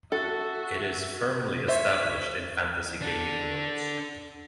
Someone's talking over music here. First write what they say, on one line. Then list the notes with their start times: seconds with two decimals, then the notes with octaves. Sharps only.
It is firmly established in fantasy gaming worlds.
0.12 F#4 A4 E5
1.68 C5 C#5 E5 B6
3.02 D4 A4